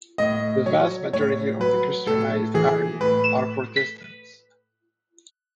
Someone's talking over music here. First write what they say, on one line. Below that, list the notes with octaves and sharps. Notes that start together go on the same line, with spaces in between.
The vast majority of the Christianized Ari are Protestants.
A2 D#5
F#3 C#5
A2 C#5
F#3 B4
A2 A4
E3 G#4
A2 B4